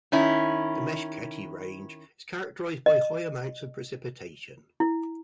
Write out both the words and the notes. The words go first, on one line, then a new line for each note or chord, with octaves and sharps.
The Meskheti Range is characterized by high amounts of precipitation.
D#3 C#4 E4
D#5
E4